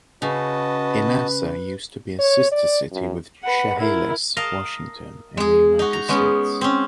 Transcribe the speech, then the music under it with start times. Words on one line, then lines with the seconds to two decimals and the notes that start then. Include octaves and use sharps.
Inasa used to be a sister city with Chehalis, Washington, in the United States.
0.22 C#3 F#4 B4 D#5 A5
2.19 C#5
2.52 D5
2.92 F#2
3.43 B4 F#5
3.79 E4 A#4
4.37 A#4 D#5 F5 A5
5.37 G#3 G#4
5.79 D#4 F#4
5.93 A#5
6.09 G#3 B3 C#4
6.61 C4 C#4